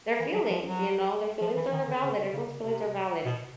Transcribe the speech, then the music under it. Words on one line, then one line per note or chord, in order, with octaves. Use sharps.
their feelings, you know? Their feelings are valid, everyone's feelings are valid.
E3
F#3
F3
F#3
F3
E3
D#3
D3
C#3
C#3
C3
B2